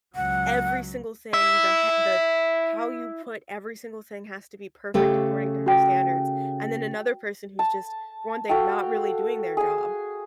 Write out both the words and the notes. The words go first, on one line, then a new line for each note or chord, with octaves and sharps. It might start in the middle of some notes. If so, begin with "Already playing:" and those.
every single thing, the h the how you put every single thing has to be perfect according to her standards, and then another person who's just, for one thing, not really doing their job
C#2 F#3 F#5
E4 E5
C#3 A3 G4
F#4 G5
A5
F#4 A4 F5 G5
G#4 G#5